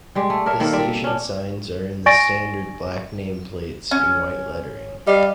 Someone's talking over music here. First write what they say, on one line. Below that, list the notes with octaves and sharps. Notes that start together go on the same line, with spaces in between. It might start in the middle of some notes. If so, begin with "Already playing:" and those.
The station signs are in the standard black name plates in white lettering.
G3 G#3 G4
A3
D4 A#4 C#5 E5
D#3 A#3 A4 C5
G3 C4 D5 E5
C#4 D4
D5 G#5 C#6 A6 A#6 D7
C#4
G3 D#5 F5